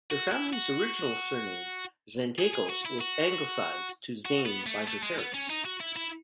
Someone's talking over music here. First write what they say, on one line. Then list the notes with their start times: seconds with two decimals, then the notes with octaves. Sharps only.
Her family's original surname, "Zanetakos", was anglicized to "Zane" by her parents.
0.11 F#4
0.32 E4
0.53 F#4
2.39 G#4
2.54 G#4
2.70 F#4
2.86 E4
3.01 F#4
4.25 F#4
4.46 B3
4.67 A3
4.88 A3
5.03 G#3
5.18 B3
5.34 C#4
5.50 D#4
5.65 F#4
5.80 E4
5.96 E4